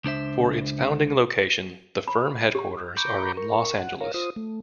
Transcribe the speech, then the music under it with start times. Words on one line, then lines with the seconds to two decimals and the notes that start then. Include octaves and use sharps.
For its founding location, the firm headquarters are in Los Angeles.
0.04 C#2 D4 C5 E5
2.08 B5
2.55 G4
2.97 A#5 B5 C#6 D6 G6
3.37 A#4 C#6
3.78 F#5
4.01 A#4 C#5 F5 A#5
4.14 F4 C5 D#6
4.36 A3